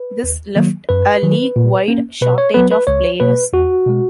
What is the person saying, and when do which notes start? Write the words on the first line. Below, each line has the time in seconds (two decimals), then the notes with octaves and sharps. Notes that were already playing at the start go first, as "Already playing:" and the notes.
This left a league-wide shortage of players.
Already playing: B4
0.24 D#2
0.56 D#3 F#3 A#3
0.89 F#2 B4
1.23 D#3 F#3
1.56 A#2
1.88 A#3 C#4
2.21 B2 B4
2.38 C#5
2.54 F#3 B3 B4
2.71 B4
2.87 C#2 C#5
3.20 B2 A#3 B4
3.53 E2 F#4
3.87 B2 G#3